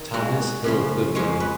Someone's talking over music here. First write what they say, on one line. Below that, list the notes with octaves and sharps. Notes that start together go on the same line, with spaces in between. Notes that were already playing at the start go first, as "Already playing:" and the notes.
Thomas Hill Goodwin.
Already playing: D#3
B2 G#3 F#4
F#2 C#3 F3
F2 F3 G#3 C#5
B4